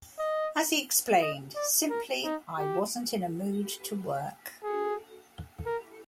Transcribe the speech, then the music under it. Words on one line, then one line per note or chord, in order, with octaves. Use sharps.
As he explained, Simply, I wasn't in a mood to work.
D#5
D#5
D5
A#4
D#4
G4
G#4
A#4